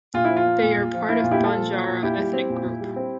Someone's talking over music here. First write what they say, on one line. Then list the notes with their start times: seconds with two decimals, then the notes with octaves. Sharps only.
They are part of Banjara ethnic group.
0.14 A#2 F4
0.25 E4
0.30 F3
0.36 F4
0.46 A#3
0.62 A#2
0.77 A#2
0.93 F3
1.08 A#3 E4
1.20 A#2 F4
1.31 E4 G4
1.40 A#2 F4 A4
1.55 F3
1.72 A#3
1.87 A#2
2.03 A#2 E4 G4
2.18 G3
2.33 C4
2.50 A#2
2.66 A#2
2.81 G3
2.96 C4